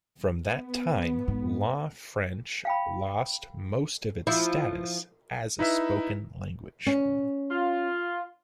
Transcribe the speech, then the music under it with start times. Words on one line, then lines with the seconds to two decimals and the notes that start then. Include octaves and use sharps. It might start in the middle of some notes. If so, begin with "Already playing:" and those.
From that time, Law French lost most of its status as a spoken language.
0.50 B3
1.28 G#2
2.65 F5 G5 B5
4.27 F3 E4
5.59 D#4 E4 B4 E5
6.86 C#4
7.51 F4